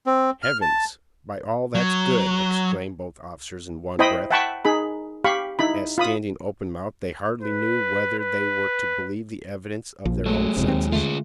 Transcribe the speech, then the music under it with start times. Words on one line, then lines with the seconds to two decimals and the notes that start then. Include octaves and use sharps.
"Heavens!" "By all that's good!" exclaimed both officers in one breath, as, standing open-mouthed, they hardly knew whether they were to believe the evidence of their own senses.
0.06 C4
0.43 F6
0.61 A5
1.75 F#3
3.99 E4 C5 D#5 G5 B5 D#6
4.31 E5 F#5 G5 A5 B5 C#6
4.65 D#4 G#4 B5
5.24 G4 F5 B5 C#6
5.59 D#4 E4 B5
5.98 F4 B5 D#6
7.41 B4
8.19 B4
10.05 A#1 F3
10.26 F#3 G#3 A3
10.57 E1 F2 C3
10.68 D#2 C4
10.92 D3 G#3 A3 F4 G#4